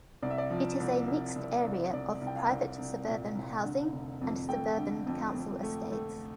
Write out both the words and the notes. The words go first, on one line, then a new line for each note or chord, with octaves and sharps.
It is a mixed area of private suburban housing and suburban council estates.
C2 D5
E5
D5
F3
C2
C2
C2
C2
C2 D5
C2
G5
F5
C2
C2
A#2
C2
D3
F1
F2
A3 G5
D3
F2
F2
A3
A3